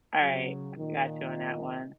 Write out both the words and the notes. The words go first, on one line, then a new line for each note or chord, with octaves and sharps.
Alright, I got you on that one.
C#3 F#3
A#2 D#3